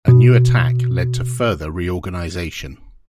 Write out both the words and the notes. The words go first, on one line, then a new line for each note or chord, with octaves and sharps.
A new attack led to further reorganization.
B2